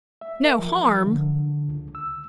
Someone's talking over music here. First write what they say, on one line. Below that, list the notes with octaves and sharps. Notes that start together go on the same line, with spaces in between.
"No harm!"
E5
A#4
F3
D3
C#2
E6